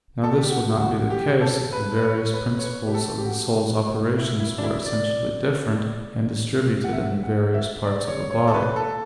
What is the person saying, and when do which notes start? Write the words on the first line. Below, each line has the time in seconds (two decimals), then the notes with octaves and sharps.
Now this would not be the case if the various principles of the soul's operations were essentially different, and distributed in the various parts of the body.
0.23 A4
0.36 G4
0.50 F#4
0.80 F#4
1.10 G4
1.41 A4
1.73 B4
1.96 B4
2.02 C#5
2.34 B4
2.59 C#5
2.64 B4
2.87 G4
2.94 A4
3.18 G4
3.25 F#4
4.18 E4
4.40 E4
4.58 D4
4.63 E4
4.86 D5
6.84 F#5
6.93 E5
7.23 F#5
7.54 E5
7.84 D5
8.07 C#5
8.31 C#5
8.48 A4
8.54 B4
8.76 A4